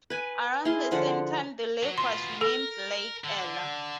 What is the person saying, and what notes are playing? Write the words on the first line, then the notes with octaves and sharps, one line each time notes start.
Around the same time the lake was renamed Lake Ella.
B4 G#5
E4 G#4 F5 C6
D3 F3 F#5
F#3
B2 F4 C6
A4 A#4
D3